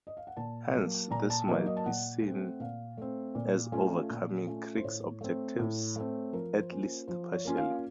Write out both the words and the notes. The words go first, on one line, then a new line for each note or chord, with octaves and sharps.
Hence, this might be seen as overcoming Crick's objections, at least partially.
D#5
F5
F#5
A#2 A5
F#3 A#3
A#2 A#5
A5
F#3 A#3 D#5
D#5
A5
A#2 F#5
A3
C4
A#2 F5
A3 C4
A#2
A3 C#4 F4
A#2
A3 C#4 F4
C5
A2 C#5
A3 C4
A2
A3 C4
F3 A#4
C5
A#3 C#4 F4
C5
F3 C5
C#5
A#3 C#4 F4
F5